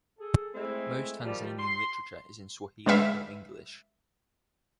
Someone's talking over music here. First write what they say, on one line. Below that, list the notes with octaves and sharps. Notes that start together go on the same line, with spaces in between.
Most Tanzanian literature is in Swahili or English.
G#4 A4
G#3 A3 C4 E4
D#3 F3 G3
C6
D3 G#3 B4 E5 F5